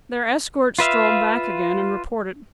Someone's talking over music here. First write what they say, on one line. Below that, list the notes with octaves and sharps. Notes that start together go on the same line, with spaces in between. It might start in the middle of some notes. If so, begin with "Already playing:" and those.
Their escort strolled back again, and reported.
F4 B4 E5 F5